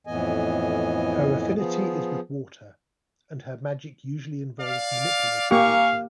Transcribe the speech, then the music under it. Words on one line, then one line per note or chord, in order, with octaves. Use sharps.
Her affinity is with water, and her magic usually involves manipulating water.
F2 A2 E3 B3 D#5 G#5
F3 B3 G#4
D5 F5
A#3 G4 F5 G#5 A#5 C#6